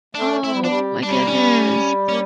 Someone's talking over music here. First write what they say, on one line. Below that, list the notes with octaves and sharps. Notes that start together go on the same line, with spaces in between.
Oh my goodness.
A3 D4
A3 E4
G3
F3
G3 D4
G3 D4
C#4
A#3
C#4
A#3 C#4